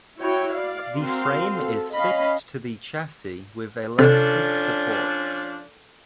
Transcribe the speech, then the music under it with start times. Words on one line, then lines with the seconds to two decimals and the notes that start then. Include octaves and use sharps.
The frame is fixed to the chassis with elastic supports.
0.20 E4 F#4 C#5 G5
0.54 D5 F5
0.96 C4 F#4 A#4 F5 C6
1.58 A4
1.95 C#4 D#5 F5 B5
3.99 C3 F3 C#4 D4 A4